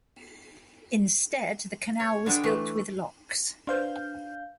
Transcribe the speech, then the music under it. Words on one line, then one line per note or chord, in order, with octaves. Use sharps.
Instead the canal was built with locks.
C#5
D3 G3 G#3 D4 G5
E3 A3
D4 B4 C5 F5 C6 G6